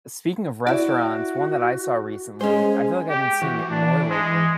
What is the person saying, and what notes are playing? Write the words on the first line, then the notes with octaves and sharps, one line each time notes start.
speaking of restaurants, one that I saw recently, I feel like, I've been seeing it more lately
E4 F#4 D5
G#3 C#4 C5 G#5
G4
E3 F#4
D4
G#3